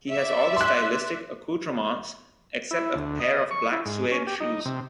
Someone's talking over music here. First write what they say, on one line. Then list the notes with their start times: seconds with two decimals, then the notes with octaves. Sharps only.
He has all the stylistic accoutrements, except a pair of black suede shoes.
0.11 D5 E5
0.56 C6 F#6
2.71 E4
2.95 D2
3.20 D#5
3.51 C#6
3.72 E4
3.85 G#2
4.11 C#4
4.27 G4
4.40 D#4
4.65 C3